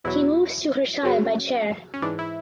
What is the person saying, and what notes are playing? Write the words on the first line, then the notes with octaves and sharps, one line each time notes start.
He moves to her chai by chair.
E2 B2 F#3 E4
F#2 C#3 F#3
C#4
G#2 E3 D4
E4